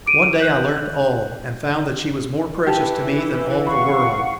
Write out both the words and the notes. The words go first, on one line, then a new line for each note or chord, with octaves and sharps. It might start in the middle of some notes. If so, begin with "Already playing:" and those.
One day I learned all, and found that she was more precious to me than all the world.
D6 D7 D#7
F#6 G6 F#7
E3 G4 A5
F5 F#5 B5 C#6